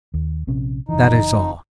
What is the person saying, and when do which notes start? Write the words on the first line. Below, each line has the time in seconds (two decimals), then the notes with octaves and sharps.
That is all.
0.14 D#2
0.47 A#1 C3 C#4
0.89 F#1 E3 D#4